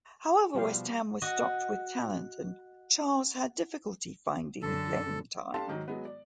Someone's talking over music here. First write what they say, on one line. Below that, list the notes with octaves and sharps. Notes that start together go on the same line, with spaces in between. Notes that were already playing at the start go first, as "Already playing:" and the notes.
However, West Ham was stocked with talent and Charles had difficulty finding playing time.
B2 F3 G3 G4 F5
F#4 D#5
F#2 D3 A4
D4 G4 A4 F5 A5 C6
G#2 D#3 F#3
F#3 G#3 B3
D5